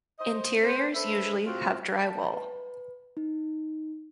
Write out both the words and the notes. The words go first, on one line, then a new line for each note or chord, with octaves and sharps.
Interiors usually have drywall.
C5 D#5
C4 B4 C5
D4 A4 B4 C5 E5
A2 C4 F4 F#4
A5
B4
D#4